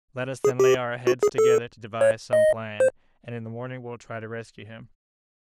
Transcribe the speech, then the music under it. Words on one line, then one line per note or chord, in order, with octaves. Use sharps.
"Let us, then, lay our heads together to devise some plan, and in the morning we'll try to rescue him."
G#4
G4
F#4
G#4
A4
C#5
D#5
C5